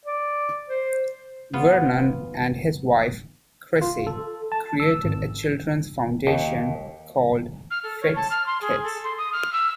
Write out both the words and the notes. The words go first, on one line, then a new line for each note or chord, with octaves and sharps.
Vernon and his wife, Chrissy, created a childrens foundation called Fidd's Kids.
D5
C5
B3 F4
F4
A4
A5
E6
G#1
D#2
F6
A4
C#5
A5
F6
C6
G#4
A4
C6
D#6
F6
E6